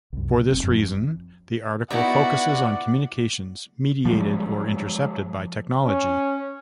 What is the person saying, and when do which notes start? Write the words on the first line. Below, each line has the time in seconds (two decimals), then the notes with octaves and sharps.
For this reason, this article focusses on communications mediated or intercepted by technology.
0.13 C2 F#2
0.50 F1 C4
0.63 F#2 F3
1.90 B3 D#4 E4 F#4 D5 E5 F#5
4.05 F3 G3 G#3
5.84 C#4